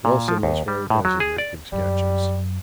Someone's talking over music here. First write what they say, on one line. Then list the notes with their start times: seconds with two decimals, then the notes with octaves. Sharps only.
Wilson is very busy making sketches.
0.05 A#2
0.28 F3
0.43 D#2
0.68 G3
0.90 A2
1.05 F#3
1.20 G#4
1.38 D5
1.72 F#2 G3